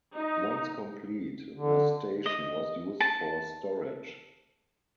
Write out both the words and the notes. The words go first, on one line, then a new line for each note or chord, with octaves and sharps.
Once complete, the station was used for storage.
D#4
D3
D#5
A5